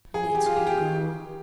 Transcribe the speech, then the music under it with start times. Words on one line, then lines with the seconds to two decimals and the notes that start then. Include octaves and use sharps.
Let her go!'
0.14 G#4
0.35 G4
0.46 F4
0.56 G4
0.67 G4